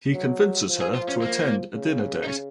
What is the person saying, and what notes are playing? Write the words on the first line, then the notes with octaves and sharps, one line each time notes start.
He convinces her to attend a dinner date.
F#3
F3
G#4
F4
C#4
A#3
C#3
D#4
C#4